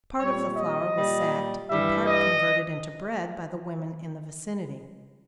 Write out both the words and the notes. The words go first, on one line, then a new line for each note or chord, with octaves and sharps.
Part of the flour was sacked, and part converted into bread by the women in the vicinity.
A#2 G3 C#5
D#5
A#2 G3
G2 E3 G3 E5
D#5